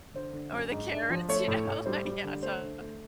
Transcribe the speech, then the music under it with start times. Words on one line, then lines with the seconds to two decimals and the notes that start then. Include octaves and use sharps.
or the carrots, you know, like, yeah, so
0.14 D3 C5
0.33 D3
0.52 F#2
0.71 G#2
0.90 D4
1.10 F3
1.29 A3 C#5
1.48 A2
1.68 A2
1.85 G3 C5
2.05 G3
2.24 D3
2.42 A3 C5
2.62 D3
2.81 A3